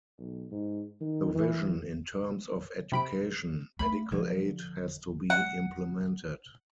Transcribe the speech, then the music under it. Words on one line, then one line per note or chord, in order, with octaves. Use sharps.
The vision in terms of education, medical aid has to be implemented.
B1
G#2
D#3
E3
C3 B5 D7
A3 A#3 B5
D3 F3
F#5